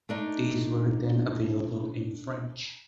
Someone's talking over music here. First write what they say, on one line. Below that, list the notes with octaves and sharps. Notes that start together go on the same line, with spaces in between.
These were then available in French.
A3 D4 D#4